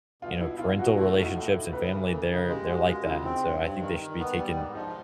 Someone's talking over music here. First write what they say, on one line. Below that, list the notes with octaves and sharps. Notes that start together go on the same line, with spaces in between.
you know, parental relationships and family, they're they're like that, and so I think they should be taken
B2 F4
B2 E4
B2 F4
B2 F#4
A3 E4
A2
D#4
A2
A4
A2
C#3 B4
E3 A#4
C#3 A4
C#3 G#4
G#3 G4
G#3 F#4
G#3 F4
C#3 E4
C4 D#4
G2
G2
D#3
D#3
B3
G3
G#2
F3 D#4